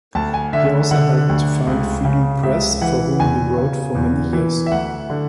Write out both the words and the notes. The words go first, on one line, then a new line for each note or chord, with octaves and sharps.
He also helped to found Freedom Press for whom he wrote for many years.
D2 A5
G#5
D3 E5
D3 F#5
D2
C#2
C#3
C#2 E5
E3 F#5
E2 G#5
C#3
E2
E3
E5
D2 F#5
D3